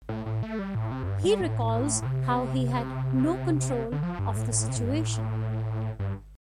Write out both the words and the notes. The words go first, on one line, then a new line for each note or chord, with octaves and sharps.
He recalls how he had no control of the situation.
A2
A2
A3
G3
A2
C3
F2
G2
G3
A2
A2
C3
D3
F3
G2
A2
A2
C3
A2
G2
A2
G2